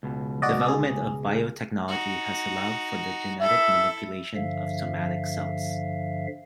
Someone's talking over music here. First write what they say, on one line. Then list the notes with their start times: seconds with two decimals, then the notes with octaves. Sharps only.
Development of biotechnology has allowed for the genetic manipulation of somatic cells.
0.03 C#2 B2
0.42 F#4 D5 D#5
0.68 G#4
1.88 D#4 F#4
3.40 E4 A4 E5
4.36 G2 D3 F3 E5 F5